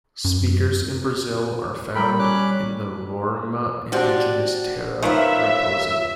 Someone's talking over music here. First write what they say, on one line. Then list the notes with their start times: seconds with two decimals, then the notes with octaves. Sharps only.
Speakers in Brazil are found in the Roraima Indigenous Terra Raposa.
0.25 F#2
1.96 G3 A4 A#4 G5 B5
2.19 C#4 D6 F#6
3.92 F3 C4 D4 F#4 G4 D5
5.02 D#3 F3 B3 F4 C#5 E5 F5 A#5